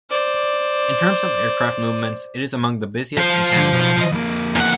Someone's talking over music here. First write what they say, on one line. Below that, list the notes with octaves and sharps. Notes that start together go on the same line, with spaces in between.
In terms of aircraft movements, it is among the busiest in Canada.
C5 D5
F3 C5
D3
B1
B1 D#5
F2 A#3
E2 F#5